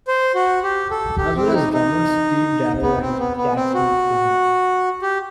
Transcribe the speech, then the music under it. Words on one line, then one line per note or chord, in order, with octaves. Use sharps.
As well as drummers Steve Darrow and Cathy Flanga.
C5
F#4
G4
A4
G4
C4
E4
D#4
D#4
B3
C4
B3
B3
C4
F#4
G4